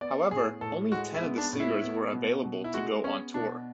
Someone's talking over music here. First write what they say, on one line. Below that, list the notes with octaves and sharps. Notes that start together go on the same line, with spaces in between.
However, only ten of the singers were available to go on tour.
B3 D5
A2 G#4
A2 A4
G#3 F#4
E4
B3
D4
A2
E4
B3
B2
B2
E4
G#3 F#4
B3 C#4
B2 D4